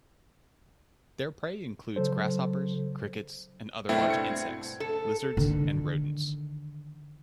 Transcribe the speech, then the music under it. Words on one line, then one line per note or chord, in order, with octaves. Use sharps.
Their prey includes grasshoppers, crickets and other large insects, lizards and rodents.
C#3 F#3 A4 C5
G2 B2 A3 C4 E4
G#6 C#7
A4
D3 D#3